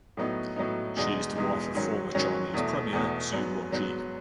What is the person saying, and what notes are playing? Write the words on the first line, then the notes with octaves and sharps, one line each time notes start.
She is the wife of former Chinese Premier Zhu Rongji.
A2 F#3 B3 D#4
A2 F#3 B3 D#4
E2 B2 G#3 D#4
E2 B2 G#3 D#4
G#2 D#3 F#3 C#4
G#2 D#3 F#3 C#4
E2 B2 A3
E2 B2 A3
G#2 F#3 B3
G#2 F#3 B3